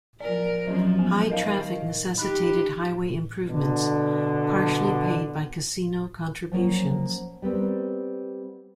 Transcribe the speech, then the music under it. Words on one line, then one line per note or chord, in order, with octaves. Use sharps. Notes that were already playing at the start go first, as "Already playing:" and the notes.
High traffic necessitated highway improvements, partially paid by casino contributions.
F3 A#4 D5
F#2 F3 F#3 C#4
B3
D#3 A#4 D#5 F5
D#4 G4 B5 F#6
B2 D3
F3 F#3 A#3 C#4
G3 B3 C4 A#4